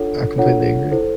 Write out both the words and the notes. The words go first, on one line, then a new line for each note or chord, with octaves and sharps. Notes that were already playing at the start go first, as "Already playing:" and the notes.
I completely agree.
Already playing: D4 F4 A4 C#5 F#5
D4 F4 A4 C#5 F#5
E4 A4 C5